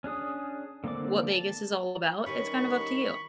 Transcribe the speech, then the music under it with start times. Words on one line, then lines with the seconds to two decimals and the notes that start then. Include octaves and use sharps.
what Vegas is all about, it's kind of up to you.
0.04 C#4 D4 G#4 D#6
0.84 D3 A#3 C4 D5 D6
1.31 A5
2.26 D#3 E3 G3 C#4 B5 C#6